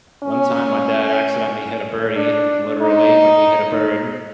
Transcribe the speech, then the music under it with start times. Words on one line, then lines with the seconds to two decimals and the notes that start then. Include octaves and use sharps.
one time my dad accidentally hit a birdie, literally, like, he hit a bird.
0.23 C#4
2.17 D4
2.82 D#4